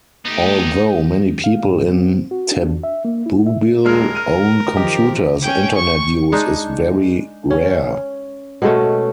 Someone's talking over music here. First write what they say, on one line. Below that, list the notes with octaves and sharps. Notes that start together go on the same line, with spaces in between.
Although many people in Tabubil own computers, Internet use is very rare.
A3 B3 D#4 G4
G#3
F5
G#2
C4
F#4
D4
E5
A#3
E4
E5
D#1 G#3 A#4 F6
F6 D#7
D#3 F3 G4 D#5
C#4 G5
C#6
G#3 D4 D#4
C#4
B2 G#3 A3 C#4